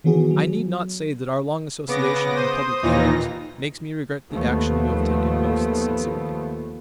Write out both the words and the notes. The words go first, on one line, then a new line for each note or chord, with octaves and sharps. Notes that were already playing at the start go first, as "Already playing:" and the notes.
I need not say that our long association in public affairs makes me regret the action you have taken most sincerely.
D#3 E3 B3 F#4 G#4
F#3
C#3 B3 D6 A#6
C5 D#6
D#2 A#2 E3 D#4 F4 A#6
D#2 F3 A3 B3